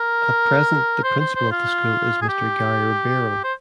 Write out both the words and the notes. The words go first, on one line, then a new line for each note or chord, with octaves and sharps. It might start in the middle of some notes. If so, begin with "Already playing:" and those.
At present the Principal of the school is Mr Gary Ribeiro.
Already playing: A#4
C5
C5
C5
F4
G#4
G4
C5